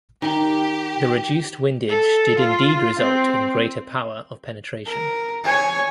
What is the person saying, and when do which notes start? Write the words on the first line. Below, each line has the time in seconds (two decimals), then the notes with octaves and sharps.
The reduced windage did indeed result in greater power of penetration.
0.22 D#3 G4
1.89 A4
2.38 F4
2.99 C4
4.86 A#4
5.44 C#5 G#5